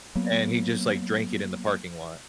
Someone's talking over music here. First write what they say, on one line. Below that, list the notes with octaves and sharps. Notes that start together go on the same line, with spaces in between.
and he just, like, drank it in the parking lot.
F#3 A#3 B3